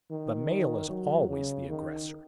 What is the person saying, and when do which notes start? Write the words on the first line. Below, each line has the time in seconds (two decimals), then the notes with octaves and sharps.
The male is always the aggressor.
0.11 D#3
0.89 F#3
1.29 C#3
1.69 D#3